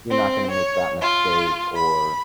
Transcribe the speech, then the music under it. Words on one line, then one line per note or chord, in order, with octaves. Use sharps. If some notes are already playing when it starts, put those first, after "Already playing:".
you're not gonna make that mistake or
C4
C#5
F4
B5